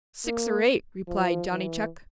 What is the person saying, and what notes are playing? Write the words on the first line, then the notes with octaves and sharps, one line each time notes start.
"Six or eight," replied Johnny Chuck.
A#3
F3
E3